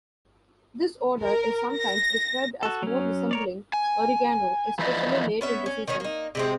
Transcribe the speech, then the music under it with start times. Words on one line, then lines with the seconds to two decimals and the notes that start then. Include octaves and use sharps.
This odor is sometimes described as more resembling oregano, especially late in the season.
1.25 A#4
1.78 A#6
2.63 F#4 A4
2.83 F#3 C#4
3.31 A#4 C#5 D5
3.73 G#5
4.79 E3 F3 E4 B4 D5 D#5
5.41 B3 C#4 E5
5.66 C#4
5.88 D#3 B3 C#4 D#4
6.00 A#3 D#4
6.35 C3 G#3 C4